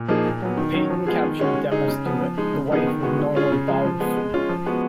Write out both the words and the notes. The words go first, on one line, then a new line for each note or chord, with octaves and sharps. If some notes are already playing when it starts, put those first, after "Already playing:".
Peyton captured Demasduwit, the wife of Nonosbawsut.
Already playing: A#2
F3 A#3 D#4 G#4
A#2
F#3 B3
D#3
F#3 C#4
F3
G#3 B3 F4 G#4
D#3
G#3 C#4 F#4
G#3
D#4 G#4
C#3
F3 B3
F3
G#3 D#4
C#3
F3 B3 D#4 G#4
D#3
G#3 B3 F#4
G#3
C#4 F4 G#4
C#3
F3 G#3
F3
G#3 B3
G#3
C#4 F4
F3
G#3 B3 F#4